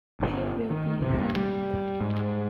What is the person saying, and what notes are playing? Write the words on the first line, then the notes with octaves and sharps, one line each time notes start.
He will be hanged!
G1
D#3
C3
G2
G3
G#2